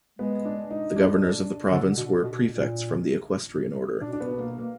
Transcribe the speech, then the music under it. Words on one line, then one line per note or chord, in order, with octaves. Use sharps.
The governors of the province were prefects from the Equestrian order.
G#3 B3
D4
D#4
D4
D3
B2
B2
A#2
B2 D4
D4
B3
A#3
A#3